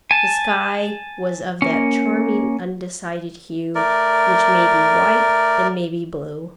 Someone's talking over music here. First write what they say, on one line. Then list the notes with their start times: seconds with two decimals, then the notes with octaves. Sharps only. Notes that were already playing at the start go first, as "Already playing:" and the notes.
The sky was of that charming, undecided hue, which may be white and may be blue.
0.11 G#5 A5
1.62 A#3 C#4
3.75 A3 A#4 D5